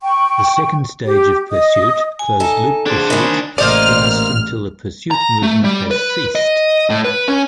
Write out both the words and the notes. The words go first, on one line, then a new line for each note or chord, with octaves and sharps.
The second stage of pursuit, closed-loop pursuit, lasts until the pursuit movement has ceased.
G5 C#6
G4
D#5 D#6
G#5
D#4 A4
D4 G#4 C5
D#3 C#4 B5
A1 A#3 C5 D5 D#5 F6
A#5
A3
G3
B4
D#5
A2
B4
C#4